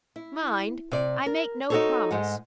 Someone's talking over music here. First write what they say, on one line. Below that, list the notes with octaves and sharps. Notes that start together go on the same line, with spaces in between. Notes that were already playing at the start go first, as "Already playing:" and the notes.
Mind, I make no promise!
E4
C3 D5
A#4
D#4 F#4 G#4 A4 C5 C#5
G#2 G#3 F#5